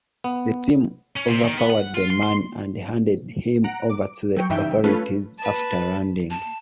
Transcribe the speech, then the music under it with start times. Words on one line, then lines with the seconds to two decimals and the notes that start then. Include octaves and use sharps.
The team overpowered the man and handed him over to the authorities after landing.
0.24 B3
1.16 C#4
1.27 C3
1.44 D#3
1.57 B3
1.69 F#5
1.94 F4
2.10 C6
2.23 C6
3.64 F#5 A#5 D7
3.89 D6
4.36 F#3 G5 C#6
4.50 G2 C#3 E3 D#4 E5 G5
4.84 A3 C#4 F4 A4 B4
5.38 B4 A5
6.30 A5